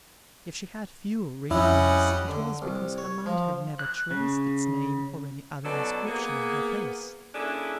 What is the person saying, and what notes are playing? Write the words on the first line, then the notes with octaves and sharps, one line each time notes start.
If she had few wrinkles, it was because her mind had never traced its name or any other inscription on her face.
F2 G3 C#4 E4 D#5 F#5
D3
C2
C#5
F3
F#6
C#3
B2 F#3 C#4 D#4 A4 D5
A#3 B3 G#4
A#3 C#4 D4 E4 G#4 A4